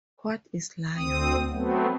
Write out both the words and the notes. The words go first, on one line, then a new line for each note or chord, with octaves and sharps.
What Is Life?
D2 C4 D#6
F#3 A3 B3 C4